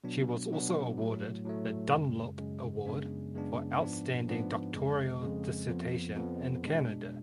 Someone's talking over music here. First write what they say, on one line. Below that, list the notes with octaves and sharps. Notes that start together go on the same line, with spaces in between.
She was also awarded the Dunlop Award for Outstanding Doctoral Dissertation in Canada.
B2 F#3 B3 D4
B2 F#3 B3 D4
A2 F#3 A3
A2 F#3 A3
F#2 C#3 G#3
F#2 C#3 G#3
F#2 C#3 G#3 B3 D4
F#2 C#3 G#3 B3 D4
G#2 F3 B3 D4
G#2 F3 B3 D4
F2 C#3 G#3
F2 C#3 G#3
F2 F3 B3
F2 F3 B3
B2 G#3 D4